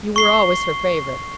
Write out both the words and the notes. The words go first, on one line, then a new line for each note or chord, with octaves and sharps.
You were always her favourite.
C#6 C7 G7